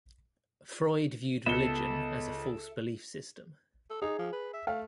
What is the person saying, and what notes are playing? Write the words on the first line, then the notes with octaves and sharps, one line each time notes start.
Freud viewed religion as a false belief system.
C#2 B3 A4 E5 G7
A4
D#4 G#4
F3
B4
E5
A3 F5